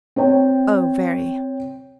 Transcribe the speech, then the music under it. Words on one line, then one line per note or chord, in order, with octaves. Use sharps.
"Oh, very."
C4 C#5 G5